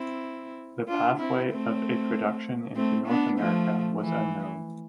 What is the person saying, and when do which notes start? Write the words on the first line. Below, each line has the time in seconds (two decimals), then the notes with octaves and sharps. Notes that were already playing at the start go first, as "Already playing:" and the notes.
The pathway of introduction into North America was unknown.
Already playing: C4 E4
0.88 D4 F4
1.19 C4 E4
1.51 A3 C4
2.76 A3 C4
3.07 B3 D4
3.38 F3 A3
4.01 E3